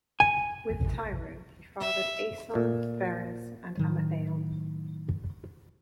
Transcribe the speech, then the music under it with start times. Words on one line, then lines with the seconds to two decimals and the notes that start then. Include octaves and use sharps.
With Tyro, he fathered Aeson, Pheres, and Amythaon.
0.20 G#5
1.80 E5
2.55 A#2
3.77 A2 D#3 F#3